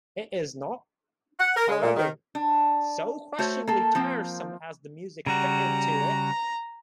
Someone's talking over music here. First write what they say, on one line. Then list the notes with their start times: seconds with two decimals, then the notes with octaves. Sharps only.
It is not, however, so crushingly tiresome as the music fitted to it.
1.39 F#5
1.56 A#4
1.69 G#3
1.82 A#2
1.97 D#3
2.35 D4
3.39 A3 F#4 C5 C#5
3.68 A#3 A4
3.95 F3 A#3 C4
5.26 C#3 G3 F#4 A#5